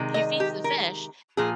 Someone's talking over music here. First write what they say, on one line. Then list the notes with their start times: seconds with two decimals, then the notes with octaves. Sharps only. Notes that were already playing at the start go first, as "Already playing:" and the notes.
He feeds the fish,
Already playing: C3 D#3 G#3
0.14 D#5
0.40 G4
0.64 A#4
1.37 A#2 F3 G#4